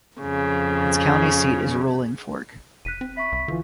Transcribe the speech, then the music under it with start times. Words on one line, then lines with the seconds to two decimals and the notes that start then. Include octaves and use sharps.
Its county seat is Rolling Fork.
0.21 F2 C#3
2.85 F1 F#6 B6 D#7
3.01 C4
3.17 E5 B5 C#6
3.32 C2
3.48 D3 E3 F4